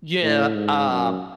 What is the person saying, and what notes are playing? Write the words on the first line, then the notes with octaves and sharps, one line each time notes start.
Yeah, uh,
A2
G#2
F#2